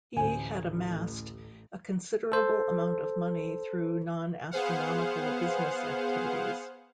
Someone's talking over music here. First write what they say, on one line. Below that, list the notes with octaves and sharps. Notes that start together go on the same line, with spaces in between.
He had amassed a considerable amount of money through non-astronomical business activities.
A1 D2 C5 G#5
A4 C5
B3 G#4 C5 F5 F#5